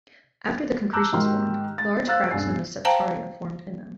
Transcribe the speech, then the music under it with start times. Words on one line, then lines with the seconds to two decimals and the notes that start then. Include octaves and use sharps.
After the concretions formed, large cracks known as "septaria" formed in them.
0.93 A5 A#5 D6 E6 F#6 G6
1.13 G#2 D#3 F#4 G4 C6 F6
1.78 A6
2.07 C5 F5 E6 F#6 A6
2.31 D#1 G2 B2 G#5 C7
2.85 C5 F5 G5 A5 A#5